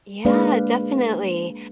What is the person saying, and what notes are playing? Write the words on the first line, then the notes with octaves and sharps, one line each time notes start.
Yeah, definitely.
G#3 A#3 D4 B4 D5 F5